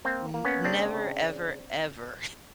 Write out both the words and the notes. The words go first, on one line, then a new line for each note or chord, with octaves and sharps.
n never ever, ever
A#3 C4
A#3
B3 C#4
C#3 C4 D4
C#3